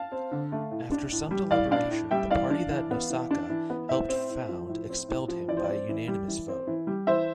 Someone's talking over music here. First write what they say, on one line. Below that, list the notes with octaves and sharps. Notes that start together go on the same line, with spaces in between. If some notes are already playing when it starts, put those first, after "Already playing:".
After some deliberation, the party that Nosaka helped found expelled him by unanimous vote.
Already playing: F5 A5
C4
D3
A3
A2
D4
A2
G3
A2 D5 F5
D4 D5 F5
A2
G3 E5 G5
E3 D5 F5
D4
E3
B3
E3
D4
E3
B3
A2 C5 E5
C4
A2
F3
A2
C4
A2
F3
E3 D5
C5
C4 D5
E3
G3
E3
C4
E3
G3
E3 C5 E5